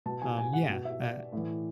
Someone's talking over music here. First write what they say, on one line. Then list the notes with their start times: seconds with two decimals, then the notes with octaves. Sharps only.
Um, yeah, eh,
0.06 B2 A5
0.22 G#5
0.38 G#5
0.53 F#5
0.69 B2
0.85 E5
1.01 D5
1.32 A2 E3